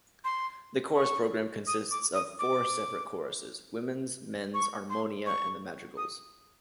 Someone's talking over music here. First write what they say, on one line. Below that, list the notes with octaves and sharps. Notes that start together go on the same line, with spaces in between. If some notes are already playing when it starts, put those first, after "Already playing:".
The chorus program consists of four separate choruses: Women's, Men's, Armonia, and the Madrigals.
C6
C#6
D#6
D6
D#6
D6
C#6
C6
C#6
D#6